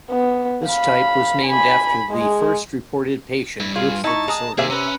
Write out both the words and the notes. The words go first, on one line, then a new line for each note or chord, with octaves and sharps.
This type was named after the first reported patient with the disorder.
B3
F5 B5
G#5 B5
G#3 G#4
G2 E4
F4 G#4
D#4 E4 A5 A#5 C#6
G#3 A#5 D#6
C3 D#3 A#3 G#4 E5 F5
C#4 B4 A#5